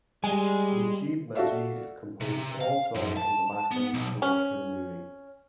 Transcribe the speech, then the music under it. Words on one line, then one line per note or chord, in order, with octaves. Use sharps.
Mujeeb Majeed composed all songs and the background scores for the movie.
G3 G#3 G#5
F#4 A4 D5 E5 F5
C3
F5
F#2
A5
B3
B1
C#4